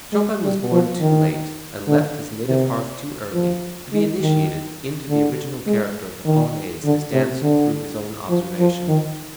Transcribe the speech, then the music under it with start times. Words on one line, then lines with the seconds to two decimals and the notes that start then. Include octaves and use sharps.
Chopin was born too late, and left his native hearth too early, to be initiated into the original character of the Polonaise as danced through his own observation.
0.13 G#3
0.42 G3
0.72 F3
1.01 D#3
1.87 D3
2.47 C3
3.34 F3
3.93 G#3
4.22 D#3
5.09 D3
5.67 G#3
6.25 D#3
6.84 D3
7.13 C3
7.42 D3
8.29 F3
8.59 F3
8.88 D#3